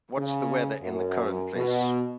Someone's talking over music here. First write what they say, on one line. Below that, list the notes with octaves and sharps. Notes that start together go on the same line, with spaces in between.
What's the weather in the current place?
C#3
F#2
B2